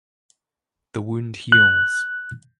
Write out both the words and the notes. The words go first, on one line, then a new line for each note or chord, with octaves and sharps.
The wound heals.
F#6